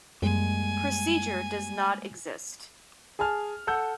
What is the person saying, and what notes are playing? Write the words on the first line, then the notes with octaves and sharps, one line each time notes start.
Procedure does not exist.
F#2 G3 G#3 A#3 G#5
G#4 G#5 A5 F6
A4 F#5 E6 G6